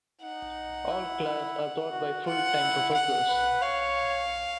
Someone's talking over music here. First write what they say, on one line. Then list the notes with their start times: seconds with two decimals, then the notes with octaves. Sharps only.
All classes are taught by full-time professors.
0.22 D#4 F#5
0.90 E4
1.24 E4
1.92 F#4
2.26 F4 F#5
2.60 E4
2.94 F#5
3.29 B4
3.62 C#5 F5